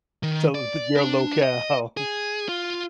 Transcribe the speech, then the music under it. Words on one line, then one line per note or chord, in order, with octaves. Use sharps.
to th your locale.
D#3
D5
D4
D#5
G#4
F4